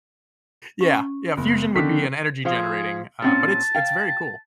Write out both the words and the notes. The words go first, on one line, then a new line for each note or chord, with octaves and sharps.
Yeah, yeah, fusion would be an energy generating, uh, but it's it's very cool.
C#4
F#1 B3
D3 D#3 F3 C#4 D4 B6
F3 G#4 C5 F5
A#2 C4 C#4 A5
F5 G5